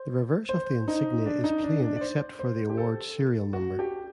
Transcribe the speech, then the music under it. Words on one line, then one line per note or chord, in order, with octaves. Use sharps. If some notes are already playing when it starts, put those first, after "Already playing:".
The reverse of the insignia is plain except for the award serial number.
Already playing: C5
C5
D#4
D4
D#4
D4
D4
D5
C5
C5
G4
A4
F#4
G4